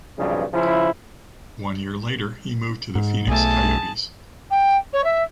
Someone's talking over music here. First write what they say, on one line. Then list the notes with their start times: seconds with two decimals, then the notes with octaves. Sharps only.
One year later, he moved to the Phoenix Coyotes.
0.18 B1 G2 C#3 F3
0.54 C#3 F3 E4
2.95 G#2
3.27 B1 A3 G#4 A5
4.51 G5
4.93 C#5
5.04 E5